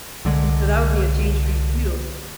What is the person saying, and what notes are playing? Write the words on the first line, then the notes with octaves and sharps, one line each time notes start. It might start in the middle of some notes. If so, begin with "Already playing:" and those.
And to that would be a change for you too.
C2 D3 G#3